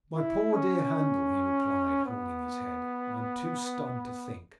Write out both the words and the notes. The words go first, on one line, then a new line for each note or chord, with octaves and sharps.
"My poor dear Handel," he replied, holding his head, "I am too stunned to think."
E4
C#4
B3